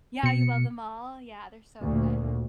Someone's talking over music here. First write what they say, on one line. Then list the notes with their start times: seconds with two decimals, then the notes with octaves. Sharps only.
yeah, you love 'em all? Yeah, they're so good.
0.23 B2 C#7
1.81 D2 A#2